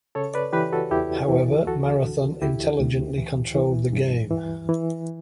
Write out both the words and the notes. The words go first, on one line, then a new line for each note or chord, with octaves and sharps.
However, Marathon intelligently controlled the game.
C#3 A4 C#5
B4 D5
E3 G4 B4
F#4 A4
E2 E4 G4
E3
D2 F#4 A4
D3
D2 E4 G4
D2
E3
E3
G2
E3
E3